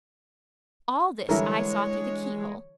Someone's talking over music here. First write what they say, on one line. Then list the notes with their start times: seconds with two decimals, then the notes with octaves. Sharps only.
All this I saw through the key-hole.
1.29 D3 E3 G3 G#3 E4 A4 A#4 C#5